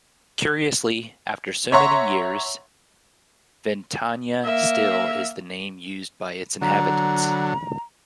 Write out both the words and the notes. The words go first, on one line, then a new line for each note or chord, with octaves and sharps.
Curiously, after so many years, Ventania still is the name used by its inhabitants.
C#5 E5 F#5 A#5 C6 C#6
A#3 E5
D3 F#3 A#5